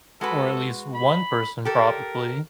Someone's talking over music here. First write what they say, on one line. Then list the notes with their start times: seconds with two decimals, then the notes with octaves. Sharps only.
or at least one person probably,
0.21 G#3 F#4 A4 B4
0.95 B5
1.65 G4 A4 A#4